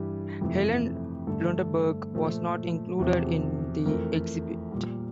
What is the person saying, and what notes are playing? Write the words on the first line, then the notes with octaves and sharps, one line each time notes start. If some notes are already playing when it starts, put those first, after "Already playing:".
Helen Lundeberg was not included in the exhibit.
Already playing: G2 E3 G3 G4
F2 C3 E3 A3
G2 D3 A3 A4
A#2 F3 A3
E2 C3 F3
F2 E3 A3 A#4
A#2 G3